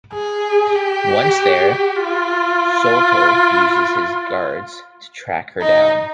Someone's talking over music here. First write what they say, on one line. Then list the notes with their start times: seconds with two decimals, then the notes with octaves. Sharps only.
Once there, Sholto uses his guards to track her down.
0.13 G#4
0.75 G4
1.96 F4
5.61 D#4